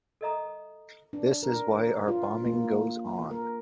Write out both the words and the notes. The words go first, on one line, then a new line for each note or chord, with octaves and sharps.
This is why our bombing goes on"".
A4 A#4 D#5 E5 A#5 D#6
D4
A#4
F4
A#3
A#4